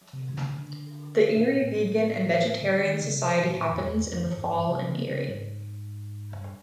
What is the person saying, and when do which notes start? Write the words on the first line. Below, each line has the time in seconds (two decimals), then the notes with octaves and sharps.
The Erie Vegan and Vegetarian Society happens in the fall in Erie.
0.13 C3
0.34 C#3
0.55 D3
1.37 A#2
1.58 A2
2.61 D3
2.82 D#3
3.02 C#3
3.16 C3
3.43 A#2
3.57 A2
3.71 F2
3.85 E2
4.05 F2
4.26 F#2
4.37 G#2
4.47 G#2
4.57 G2
4.67 C3
4.88 C#3
5.09 C#3
5.29 G#2
6.32 G2